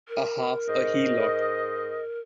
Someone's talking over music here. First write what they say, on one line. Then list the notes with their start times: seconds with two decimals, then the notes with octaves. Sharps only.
A half a heelot!
0.09 A#4
0.68 G#2 C5 D#5